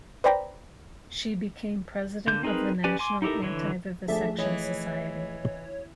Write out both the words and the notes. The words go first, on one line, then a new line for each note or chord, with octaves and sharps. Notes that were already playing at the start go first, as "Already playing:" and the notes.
She became president of the National Anti-Vivisection Society.
B4 C5 D5 G5 A#5 B5
D3 A#3 G6
C4 D#4 G#4 A#4 B4
C#4 G4 B4 D5 G#5
G#5 C6 D6
D#4 E4 G4 A4 A#4
D3 E3 C#5
D2 F3 A3 D4 G#4 A4 E5
E3 C#5 D#5